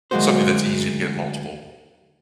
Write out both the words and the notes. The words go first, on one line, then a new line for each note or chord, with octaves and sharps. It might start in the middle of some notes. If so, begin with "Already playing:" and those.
Something that's easy to get multiple,
D2 F#3 G#3 A#3 F#4 C5